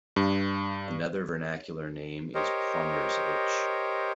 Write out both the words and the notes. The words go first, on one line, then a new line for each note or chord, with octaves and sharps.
Another vernacular name is plumber's itch.
G2
G4 A#4 C5 C#5 D#5